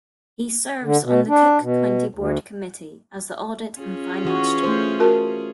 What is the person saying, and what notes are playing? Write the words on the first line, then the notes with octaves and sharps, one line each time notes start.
He serves on the Cook County Board Committee as the Audit and Finance Chairman.
D3
B2
D4
B2
D2
C#4 F4 G#4
E3 F#4
A3 C5
F#4 A#4 A5